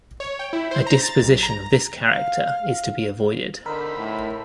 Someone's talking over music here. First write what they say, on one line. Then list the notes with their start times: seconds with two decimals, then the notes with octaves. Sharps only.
A disposition of this character is to be avoided.
0.20 C#5
0.39 G5
0.53 E4
0.71 C5
0.87 A#5
1.03 A6
1.23 B1
1.43 A#5
2.07 F5
3.66 D3 D#4 A#4 C5 B5 E6
3.97 A2